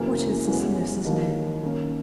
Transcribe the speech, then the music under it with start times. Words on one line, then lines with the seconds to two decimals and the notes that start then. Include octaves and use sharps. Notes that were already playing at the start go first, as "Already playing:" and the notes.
"What is this nurse's name?"
Already playing: F#2 C#3 E3 A#3
0.47 F#2 E3 G#3 B3
1.05 D#2 D#3 A#3 D#4
1.63 D#3 A#3 C#4